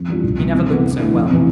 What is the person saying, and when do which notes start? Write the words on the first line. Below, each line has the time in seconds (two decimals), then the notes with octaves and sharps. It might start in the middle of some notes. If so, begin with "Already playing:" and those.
He never looked so well.
Already playing: F2
0.08 E3 G3 D4 F4
0.24 C2
0.39 C3 E3 G3
0.54 C3
0.69 E3 B3 E4
0.85 D2
0.99 D3 A3 E4
1.15 F2
1.30 C3 E3